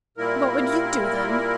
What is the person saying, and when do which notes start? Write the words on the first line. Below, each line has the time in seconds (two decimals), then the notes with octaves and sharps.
"What would you do then?"
0.17 A#2 G3 A#3 E4 A#4